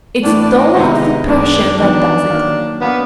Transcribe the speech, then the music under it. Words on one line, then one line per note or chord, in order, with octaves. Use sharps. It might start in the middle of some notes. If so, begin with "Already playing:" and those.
It's 'Dolokhov the Persian' that does it!
A2 E3 A3 D4
D4
D#4
C3 D#3 G#3 B3 C4 D#4 E4
F#2 D#3 G#3 B3 D4
D#3 F#3 B3 D4 D#4
D#3 F#3 A#3
F#3 A#3 B3 D4